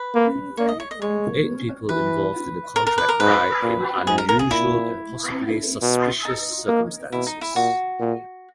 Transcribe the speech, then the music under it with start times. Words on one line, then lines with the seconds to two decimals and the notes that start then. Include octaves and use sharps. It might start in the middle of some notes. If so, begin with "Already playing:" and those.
Eight people involved in the contract died in unusual and possibly suspicious circumstances.
Already playing: B4
0.15 A#3
0.57 A#3 C#5
0.69 D#5
0.80 C#5
0.91 D#5
1.01 G#3 C#5
1.89 E3 B4
2.76 A#4
2.87 A#4
2.98 B4
3.09 A#4
3.20 G#2 B4
3.63 A#2
4.07 G#2 G#4
4.18 A#4
4.29 A#4
4.39 G#4
4.51 A#2 E4
5.82 B2
6.25 D#4
6.69 A#3
7.12 B2 E4
7.26 D#4
7.41 E4
7.56 A#2 F#4
8.00 A#2